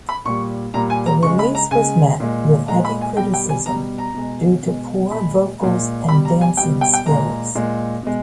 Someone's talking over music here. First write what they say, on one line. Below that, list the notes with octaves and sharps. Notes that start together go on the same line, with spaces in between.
The release was met with heavy criticism due to poor vocals and dancing skills.
B5
A#2 G3 C#6
A#2 G3 A#5
G#5
A#5
C#3 G#3 C#6
B5
A#5
C#3 G#3 G#5
A#2 G#3
A#2 G#3 A#5
B5
G#5
B2 G3 G5
G5
G#5
B2 G3 A#5
A#5
B2 G#3
B2 G#3
A#2 G#3 B5
A#2 G#3
B2 G3 B5
A#5
G#5
B2 G3 G5
G5
G5
A#2 G#3 A#5
A#2 G#3
B2 G#3